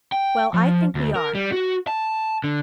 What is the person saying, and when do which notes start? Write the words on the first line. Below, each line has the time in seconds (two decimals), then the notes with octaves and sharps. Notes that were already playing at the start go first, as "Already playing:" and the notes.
Well, I think we are.
0.12 G5
0.54 F3
0.95 D2
1.16 A#4
1.35 G3
1.52 F#4
1.87 A5
2.44 D3